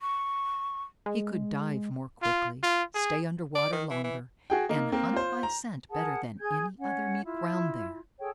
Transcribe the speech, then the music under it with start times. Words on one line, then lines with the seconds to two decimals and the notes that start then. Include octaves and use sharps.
He could dive more quickly, stay under water longer, and hunt by scent better than any other Mink round there.
0.01 C#6
1.06 G#3
2.22 F4
2.63 F4
2.95 G#4
3.55 D5
3.72 D#3
3.90 E3
4.04 E3
4.50 F#4 G#4 G5
4.69 A#3 D#4
4.92 A#3 C4
5.13 F4 C5
5.43 A#5
5.91 G#4 A#4 F#5 A5
6.40 G#4 G#5 G6 G#6
6.79 C#4 F#5
7.23 E4 F4
8.19 G#4 A4 C#5 G5